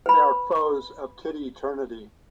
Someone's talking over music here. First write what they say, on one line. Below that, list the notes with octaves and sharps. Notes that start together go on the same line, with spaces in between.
They are foes of Kid Eternity.
B4 B5